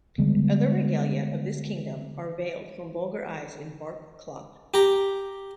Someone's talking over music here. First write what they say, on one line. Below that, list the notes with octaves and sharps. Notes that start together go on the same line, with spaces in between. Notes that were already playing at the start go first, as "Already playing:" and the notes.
Other regalia of this kingdom are veiled from vulgar eyes in bark-cloth.
D3 G3 G#3 B3
G4 A#5